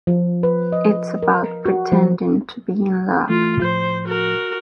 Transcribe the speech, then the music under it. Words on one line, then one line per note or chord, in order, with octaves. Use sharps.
It’s about pretending to be in love.
F3
B4
D#5
A#4
F#4
F3
E3 A3 F4
A2 F3 C5 G6
F#4 A#4